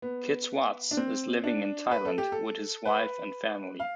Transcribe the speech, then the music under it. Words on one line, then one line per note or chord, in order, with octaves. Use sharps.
Kit Swartz is living in Thailand with his wife and family.
B3
D4
C4
D4
B4
A4
G4
A4
B4
F5